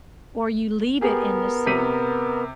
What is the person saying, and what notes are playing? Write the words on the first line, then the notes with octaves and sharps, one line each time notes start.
or you leave it in the soup
B3 G4 G#4 A#4
C3 B6 D#7